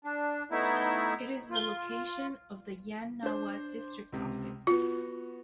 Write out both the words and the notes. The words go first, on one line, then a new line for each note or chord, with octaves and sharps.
It is the location of the Yan Nawa District Office.
D4
A3 B3 D#4 E4 E5
F4
D4 C5
C#2 C3
B3 F4 F#4